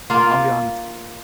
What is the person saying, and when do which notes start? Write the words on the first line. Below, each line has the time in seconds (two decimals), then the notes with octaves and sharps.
I'll be honest.
0.10 A#3 F4